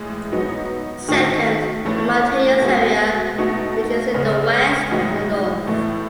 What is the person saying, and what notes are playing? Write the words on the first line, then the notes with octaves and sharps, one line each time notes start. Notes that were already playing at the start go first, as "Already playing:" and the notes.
Second, the mountainous area which is in the west and the north.
Already playing: A2 E3 G#3
F#3 B3 D#4 F#4
D#3 A3 D#4 F#4
E3 A3 C#4 E4
B2 G#3 B3 F#4
B2 A3 D#4 F#4
C#3 G#3 B3
A2 E3 G#3 D#4 F#4
A2 E3 A3